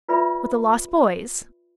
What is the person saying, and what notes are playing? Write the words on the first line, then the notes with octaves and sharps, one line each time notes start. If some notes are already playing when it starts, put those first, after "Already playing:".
"With the lost boys."
F4 B4 D5 E5 B5